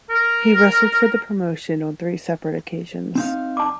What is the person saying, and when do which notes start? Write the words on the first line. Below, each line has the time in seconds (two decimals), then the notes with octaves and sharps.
He wrestled for the promotion on three separate occasions.
0.10 A#4
3.15 C4 D#4 F5
3.57 A5 D6